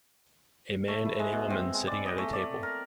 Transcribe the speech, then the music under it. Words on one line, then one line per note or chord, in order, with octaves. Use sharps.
A man and a woman sitting at a table.
A3
E4
G#3
B2
C4
G#3
D5
D#5
A3
D5
A#4